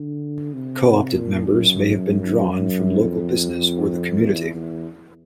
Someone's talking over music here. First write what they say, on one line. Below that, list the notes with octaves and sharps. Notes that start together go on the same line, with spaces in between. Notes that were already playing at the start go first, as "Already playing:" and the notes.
'Co-opted' members may have been drawn from local business or the community.
Already playing: D3
C3
A#2
F#2
F2
E2
E2